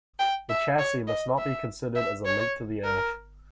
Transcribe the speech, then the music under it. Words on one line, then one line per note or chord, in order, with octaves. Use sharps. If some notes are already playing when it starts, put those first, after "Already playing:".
The chassis must not be considered as a link to the Earth.
G5
E5
C#5
D#5
E5
E5
C#5
A#4